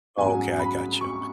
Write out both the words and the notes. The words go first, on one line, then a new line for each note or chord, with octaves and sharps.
Okay, I gotcha,
G#2 F#3 C#4 G#5
B5
C#6